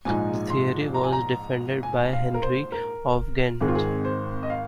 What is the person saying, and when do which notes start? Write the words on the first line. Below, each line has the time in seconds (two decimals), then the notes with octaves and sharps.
The theory was defended by Henry of Ghent.
0.05 A#1 G#2 F3 G#3 D#4 G#5
0.50 C6
0.94 A#5
1.04 G#5
1.13 A#5
1.83 G#5
2.13 F5
2.34 A#4
2.43 C5
2.72 A#4
3.61 G#1 G#2 D#3 C4 G#4
3.68 F4
3.75 G#4
4.05 C5
4.43 D#5
4.50 F5